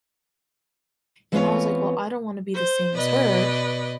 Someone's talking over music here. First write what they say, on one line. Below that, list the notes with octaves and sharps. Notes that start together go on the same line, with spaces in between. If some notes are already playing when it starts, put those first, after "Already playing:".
and I was like, "Well, I don't wanna be the same as her,
E3 G#3 B3 C4 F4 C#5
C5
B2 B4 D5 D#5